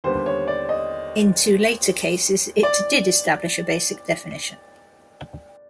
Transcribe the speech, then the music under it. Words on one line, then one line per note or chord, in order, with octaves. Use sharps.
In two later cases, it did establish a basic definition.
D#2 D3 G3 B3 C5
C#5
D5
D#5
D5